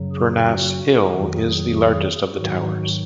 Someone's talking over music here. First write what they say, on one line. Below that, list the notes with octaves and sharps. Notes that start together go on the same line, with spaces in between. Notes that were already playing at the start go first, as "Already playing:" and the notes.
Furnas Hill is the largest of the towers.
Already playing: F#2 C#3 F#3
G#4
F#4
F2 D#3 F#3 F#4
G#4
G#4
G#2 D#3 F#3 F#4